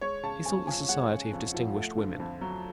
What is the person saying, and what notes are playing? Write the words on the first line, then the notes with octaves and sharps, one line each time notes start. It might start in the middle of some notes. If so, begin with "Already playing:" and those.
He sought the society of distinguished women.
G#3 C#5
C#3 A5
F2 G#5
F3 G#5
G#3 F#5
C#3
F2
F3
A3
D3
F2
F#3